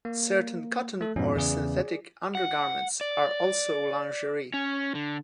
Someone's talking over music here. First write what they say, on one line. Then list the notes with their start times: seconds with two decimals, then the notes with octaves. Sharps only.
Certain cotton or synthetic undergarments are also lingerie.
0.05 A#3
1.01 A3 A4
1.16 F2 G#2 B2 C#4
1.36 E2 C#3 G#4 D5
2.35 F#5
3.01 D5
4.54 C#4
4.95 D3